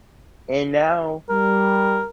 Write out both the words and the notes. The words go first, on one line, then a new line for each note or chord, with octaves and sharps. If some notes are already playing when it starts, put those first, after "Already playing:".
and now
G3 A#4